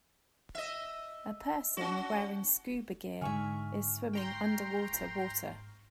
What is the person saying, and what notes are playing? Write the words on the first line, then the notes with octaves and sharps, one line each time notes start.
A person wearing scuba gear is swimming underwater water.
D#5 E5
C#4 F#4
G#2 D3 G#4 E5 C#6 F6
G5 A#5 C6